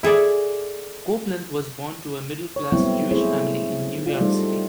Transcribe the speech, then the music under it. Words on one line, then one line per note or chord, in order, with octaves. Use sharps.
Copeland was born to a middle-class Jewish family in New York City.
E4 G#4 A4 D5
C#5
F#3 G3 A3 B3 C4 E4
A3 C4 E4 G#4 C5 C#5
F4 D5
G3 A3 D#4 A4 C5